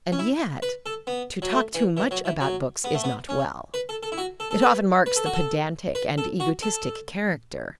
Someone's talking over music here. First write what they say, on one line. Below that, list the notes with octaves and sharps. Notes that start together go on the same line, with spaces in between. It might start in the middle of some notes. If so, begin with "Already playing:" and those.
And yet, to talk too much about books is not well; it often marks the pedantic and egotistic character.
C#4
E4
B4
A4
B3
F#3
A3
E3
E3
F#3
E3
F#3
B3
A3
B3
C#4
B4
A4
A4
E4
F#4
A4
A4
B4
B4
A4
F#4
A4
B4
A4
F#4
A4